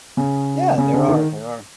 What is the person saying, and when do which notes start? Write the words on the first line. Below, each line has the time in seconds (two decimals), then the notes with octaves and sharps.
Yeah, there are, there are.
0.17 C#3
0.78 C#3
0.93 D3
1.08 D#3